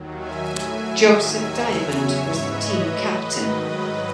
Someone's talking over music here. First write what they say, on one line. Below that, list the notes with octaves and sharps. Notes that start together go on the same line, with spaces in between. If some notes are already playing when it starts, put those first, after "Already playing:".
Joseph Diamond was the team captain.
Already playing: D#2 D#3 F#3
E5 G#5
A2 F#3
D#2 D#3 F#3
E5 G#5
E2 C#3 F#3
C#5 E5
G#2 E3
B4 D#5
A2 F#3
B4 D#5
G#2 D#3 F#3
B4